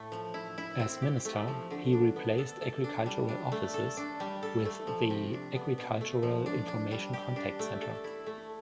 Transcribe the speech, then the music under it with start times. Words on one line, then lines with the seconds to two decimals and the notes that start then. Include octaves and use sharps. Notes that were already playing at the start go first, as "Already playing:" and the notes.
As Minister, he replaced agricultural offices with the Agricultural Information Contact Centre.
Already playing: A2 A3
0.12 F3
0.34 E4
0.58 E4
0.79 C4
1.02 G4
1.25 A3
1.48 F3
1.71 D3
1.93 D4
2.16 B3
2.38 A4
2.62 A4
2.84 D4
3.06 G3
3.29 D4
3.52 A3
3.74 A4
3.97 D4
4.20 G3
4.43 A4
4.65 A3
4.87 F3
5.10 C3
5.33 D4
5.56 B3
5.78 B2
6.01 A3
6.23 F3
6.46 D4
6.68 D4
6.91 G3
7.13 G4
7.36 D4
7.59 A3
7.81 A4
8.04 E4
8.27 A3